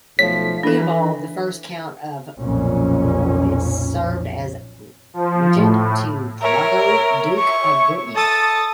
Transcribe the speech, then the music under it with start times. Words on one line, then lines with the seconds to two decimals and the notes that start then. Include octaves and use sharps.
Theobald the First, Count of Blois served as Regent to Drogo, Duke of Brittany.
0.19 B1 F3 A3 C#5 B6
0.63 E3 D4 A4
2.39 B1 F2 A#2 C#4
5.14 F3
5.55 A2
6.42 A#4 C#5 E5
7.38 C#6
8.15 A4 D#6 A6